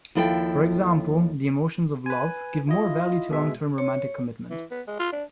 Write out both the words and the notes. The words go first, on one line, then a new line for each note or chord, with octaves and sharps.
For example, the emotions of love give more value to long term romantic commitment.
D#2 F3 E4 A4 C#5 G5
B4 G#5
E4 F4 D#5
B2 G#3 E5
C#5
E3
B3
G#3
F4
D4